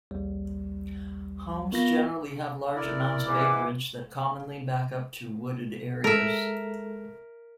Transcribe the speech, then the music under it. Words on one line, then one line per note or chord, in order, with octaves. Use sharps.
Homes generally have large amounts of acreage that commonly back up to wooded areas.
A#1 D#2 G3
B3 F4 A#4 A#6
E4 A#4 D5
G#2 E3 B4 D6
G#3 A4 A#4 E5 A#5